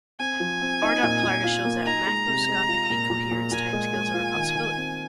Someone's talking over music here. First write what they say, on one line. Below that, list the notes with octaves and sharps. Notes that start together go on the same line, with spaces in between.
R. Plaga shows that macroscopic decoherence timescales are a possibility.
C4 G#5
F3
C4
D#4
A#2
A#2
F4
A#3
D#4 A#5
G#3
C3
G#3
F4
A#2
A#2
A#2
A#2 G#5
G#3
G#3
F4
D#3
D#3
C4